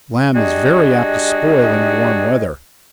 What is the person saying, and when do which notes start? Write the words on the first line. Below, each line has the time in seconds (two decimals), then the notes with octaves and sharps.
Lamb is very apt to spoil in warm weather.
0.35 G3 D4 F#4 G#4 D#5